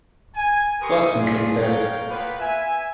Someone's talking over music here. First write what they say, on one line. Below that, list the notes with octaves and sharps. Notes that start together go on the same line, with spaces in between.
Clarkson came third.
G#5
G4 A#4 B4 C6 C#6 D#6
D4 F4 G#4
A#4 C#5 F5 G5
A#3 B3 F4 B4
E5 G#5